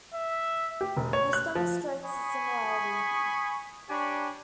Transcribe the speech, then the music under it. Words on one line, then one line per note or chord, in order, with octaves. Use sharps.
This demonstrates the similarity.
E5
G4
E1
C#5
F#6
F3
G#5 B5 C#6 D#6
D4 G4 C#5 G#5 B5 C#6